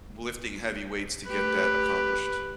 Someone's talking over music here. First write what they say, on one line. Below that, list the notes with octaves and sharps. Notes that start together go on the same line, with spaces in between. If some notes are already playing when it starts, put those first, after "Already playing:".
lifting heavy weights to get that accomplished.
A3 G4 B4